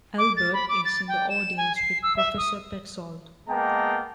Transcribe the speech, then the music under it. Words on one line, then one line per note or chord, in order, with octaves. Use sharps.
Albert is in the audience with Professor Petzold.
D6
A6
B5
D6
A6
G5
E7
G#5
C7
E6
E5
D#6
G#3 A#3 B3 G5 A5 A#5